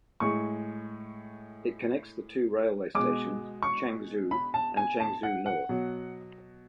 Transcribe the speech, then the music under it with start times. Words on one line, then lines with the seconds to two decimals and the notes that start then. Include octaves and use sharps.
It connects the two railway stations Changzhou and Changzhou North.
0.20 A2 G#3 C#6
2.95 B2 G#3 D6
3.63 C#6
4.31 B5
4.54 A5
4.77 G#5
5.00 A5
5.23 F#5
5.46 F#5
5.69 B2 F#3